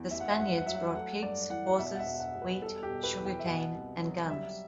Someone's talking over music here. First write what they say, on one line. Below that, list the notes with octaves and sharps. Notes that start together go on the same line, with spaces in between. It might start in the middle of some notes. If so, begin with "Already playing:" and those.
The Spaniards brought pigs, horses, wheat, sugarcane, and guns.
Already playing: E2
A1 E5
F#5
E5
G2 F#5
E5
F#5
F#3 E5
F#5
E5
A3 F#5
G2 D5
E3 F#5
F#5
B2 E5
F#5
E5
E1
F#5
E1
B4
G3 A4
G4
B2
B4
E2
G5
E5
B2 F#5
C2
F#3
G3 E5